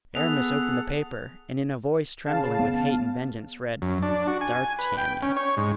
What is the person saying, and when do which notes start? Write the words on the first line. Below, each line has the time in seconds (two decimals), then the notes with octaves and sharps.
Aramis opened the paper, and in a voice trembling with hate and vengeance read "D'Artagnan."
0.15 B3 G#4 A4 F#5 F7
2.26 C#3 F5 A5
2.59 B3
3.82 F#2
4.02 D4
4.27 F#4
4.41 G#5
4.79 B4
4.98 G5
5.23 C#4
5.37 C#5
5.57 G#2